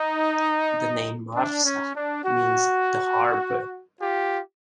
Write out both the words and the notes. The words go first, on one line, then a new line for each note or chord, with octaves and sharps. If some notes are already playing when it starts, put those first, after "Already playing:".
The name Marsa means "the harbour".
Already playing: D#4
D4
C#4
D4
F#4
F4 G4